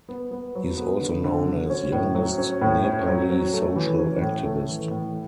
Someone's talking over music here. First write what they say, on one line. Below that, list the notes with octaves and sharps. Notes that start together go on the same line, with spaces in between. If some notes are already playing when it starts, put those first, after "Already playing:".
He is also known as "Youngest Nepali Social Activist".
B3
B3
F#3
B3
D3
D3
F#3
C#4
A2
F#3
C#4
A2
C#4
F#3
F#3
A3
E3
C#4
A2
A3
E3
A2